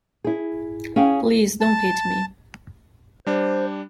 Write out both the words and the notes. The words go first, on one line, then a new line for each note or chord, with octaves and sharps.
Please, don't hit me.
E4 G#4
C#4 G#4 F5 G5
A5
G3 D4 C5